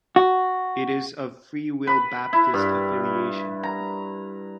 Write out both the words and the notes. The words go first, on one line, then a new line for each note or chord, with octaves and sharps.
It is of Free Will Baptist affiliation.
F#4
B4
E4
G2
A#5